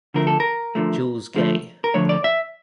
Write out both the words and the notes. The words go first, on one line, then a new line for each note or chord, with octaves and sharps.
Jules Gay.
D2 D3 F3 A3 A#4
A4
A#4
D2 D3 F3 A3
D2 D3 F3 A3
A#4
D2 D3 F3 A3 C#5
D5
E5